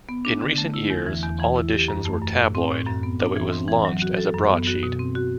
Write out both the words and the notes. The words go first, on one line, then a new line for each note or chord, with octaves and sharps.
In recent years, all editions were tabloid though it was launched as a broadsheet.
B3
D4
D3
A3
E4
E2
E3
E2
E3
E4
G4
F#2
A3
F#2
A2
C4
A2
F#2
B3
D4
E3
C4
E3
F#3
F#4
A4
F#2
B3
F#4
B2
C4
F#4